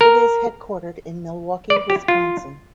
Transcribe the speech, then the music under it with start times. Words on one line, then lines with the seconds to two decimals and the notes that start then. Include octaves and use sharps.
It is headquartered in Milwaukee, Wisconsin.
0.01 A#4
1.70 D5
1.90 G4
2.08 F4